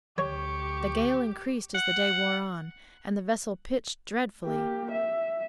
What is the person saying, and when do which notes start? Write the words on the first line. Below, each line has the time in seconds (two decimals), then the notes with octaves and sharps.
The gale increased as the day wore on, and the vessel pitched dreadfully.
0.18 D2 G4 C#5 C#6
1.75 F#5
4.45 A#3 G4
4.92 E5